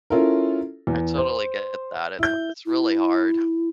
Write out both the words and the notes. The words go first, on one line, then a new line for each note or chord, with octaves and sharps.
I totally get that, it's ha it's really hard.
C#4 E4 F4 A4 A#4
E2
C5
E4 G6
E4